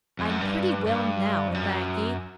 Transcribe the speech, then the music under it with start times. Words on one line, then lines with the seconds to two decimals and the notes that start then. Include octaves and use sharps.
I'm pretty well now, thank ye.
0.19 F2
0.29 F#2
0.41 G2
0.86 G2
1.48 F2
1.54 F#2